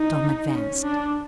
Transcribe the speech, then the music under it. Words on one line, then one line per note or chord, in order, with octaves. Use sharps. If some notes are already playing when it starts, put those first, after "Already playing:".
Tom advanced.
Already playing: D#4
C#4
D4